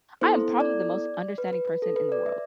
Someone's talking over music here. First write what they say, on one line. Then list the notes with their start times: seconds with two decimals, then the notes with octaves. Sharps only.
I am probably the most understanding person in the world.
0.21 B3 E4 A4 C5
0.60 D5
1.38 B4
1.53 B4
1.68 B4
1.82 A4
1.96 B4
2.12 D5
2.26 E5